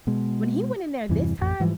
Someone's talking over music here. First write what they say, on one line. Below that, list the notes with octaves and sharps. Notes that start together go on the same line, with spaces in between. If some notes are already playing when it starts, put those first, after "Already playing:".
When he went in there this time,
B2 G#3
E2 G2 C3 E3
D#1 A1 F2
G#2 E3 F3 G3